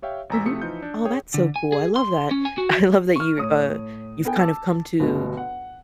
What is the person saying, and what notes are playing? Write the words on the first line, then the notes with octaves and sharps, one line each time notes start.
Mhm. Oh, that's so cool, I love that, I love that you, uh, you've kind of come to
G4 C#5 E5 F5 G5
A1 G#5 A#5 E6 B6
C3 F3 A3 C4 D#6 C#7
E3 F3 D#4 F4 G6
D4
G#4 C#5 G5 D#6
D3
G#5
G#4
C6
C#4
G#5
F#4
C#6 F6
A2 C#5 D#6
B3 A4 G5 G#5
A5 D6 E6
G1 D2 B2
F#5